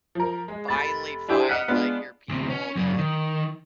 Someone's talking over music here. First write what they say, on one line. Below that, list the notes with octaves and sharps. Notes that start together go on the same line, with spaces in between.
finally find, like, your people that
F3 A#4
G#3
F1 B5 A6
D4 E4 G4 G#4 C5
D#5 F#5 F6 F#6 B6 D#7
G#3 B3 D4 F4
D2 C3
C#4
F#2 C#3
D#3